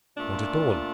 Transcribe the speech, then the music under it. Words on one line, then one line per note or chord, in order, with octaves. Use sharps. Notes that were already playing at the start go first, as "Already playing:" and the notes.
"Not at all."
A#2 A3 D4 F4